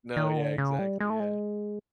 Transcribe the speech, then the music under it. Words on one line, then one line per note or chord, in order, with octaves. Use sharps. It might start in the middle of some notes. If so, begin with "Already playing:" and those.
No, yeah, exactly, yeah.
D#3
D3
C#3
G3
G#3
A3
G#3